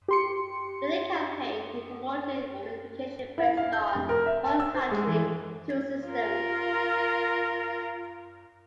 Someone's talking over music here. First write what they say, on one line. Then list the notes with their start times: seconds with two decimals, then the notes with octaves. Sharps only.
During the campaign, he promoted unification based on "one country, two systems".
0.08 G4 C6 C#7
3.38 E4
3.57 F5
3.73 G6
3.95 F1
4.09 A#4
4.26 E5
4.44 A5
4.60 E6
4.74 C5
4.92 G#3
5.07 E3
6.08 F4 A#4